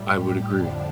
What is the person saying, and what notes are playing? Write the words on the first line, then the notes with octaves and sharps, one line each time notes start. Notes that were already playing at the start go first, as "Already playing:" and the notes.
I would agree.
Already playing: A2 G3
G4
F2 D3 F3 D4